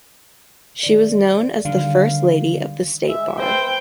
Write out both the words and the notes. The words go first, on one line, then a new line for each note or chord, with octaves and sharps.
She was known as the "first lady" of the State Bar.
D#3 D5
D3 D#3 G3 F5
G#3 E5
B4 C5 G5